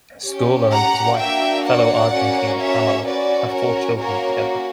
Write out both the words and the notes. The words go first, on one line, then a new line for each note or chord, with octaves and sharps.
Scola and his wife, fellow Argentine Pamela, have four children together.
C#4 G4
F#5 A#5
A#3 D4 F#4 E5 G5
D5 F#5
A#3 C#4 F#4
C#5 E5
C#4 F#4 B4 D5
A#4 C#5
A#3 C#4 F#4 A#4 C#5